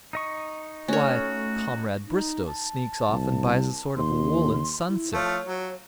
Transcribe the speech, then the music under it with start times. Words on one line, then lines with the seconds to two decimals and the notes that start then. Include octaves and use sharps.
Why, Comrade Bristow sneaks off and buys a sort of woollen sunset.
0.13 D#4 D#5 C#6
0.88 A3 C#4 F#4 C#5
2.07 D#4
2.46 A5
3.10 C2
3.96 D#2 C6
4.89 E4
5.13 F3 A3 C#5 F5
5.45 F#3